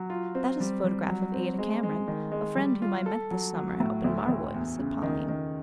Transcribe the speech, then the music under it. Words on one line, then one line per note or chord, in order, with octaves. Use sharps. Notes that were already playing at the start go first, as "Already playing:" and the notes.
"That is a photograph of Ada Cameron, a friend whom I met this summer up in Marwood," said Pauline.
Already playing: F#3
F4
C4
G3
G3
F#3
C4
G#3
G#3
D#3
G#3
G3
F4
A4
F#3
F#3
A2
D2
D2
E2
C#3
D#3
D#3